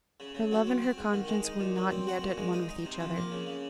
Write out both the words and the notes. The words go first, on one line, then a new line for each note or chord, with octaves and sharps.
Her love and her conscience were not yet at one with each other.
C#3
C#3
F#3
C4
C4
G#2
D#3
G#3
D#4
A#2
F#3
C4
F#4
A#2
G#3
D#4
D#4
C3
F3
A#3
C#3
C#3